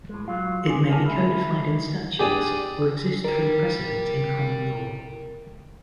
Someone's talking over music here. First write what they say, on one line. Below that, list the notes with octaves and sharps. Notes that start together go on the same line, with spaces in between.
It may be codified in statutes or exist through precedent in common law.
A2 G#3
F#3 F4
C3 G#4
A#4 C#5 F5 G#5 A5
G#3 E4
D4 G4 G#4 D5 D#6
A#4 D5 G5